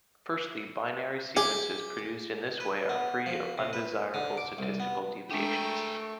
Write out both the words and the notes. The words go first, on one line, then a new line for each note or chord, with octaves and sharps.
Firstly, binary sequences produced in this way are free of undesirable statistical deviations.
G4 G#4
B4
B3
F3
C3
B4
D3
D6
C2
B3
G#3 A3 D4 G#4 A#4 G5 C#6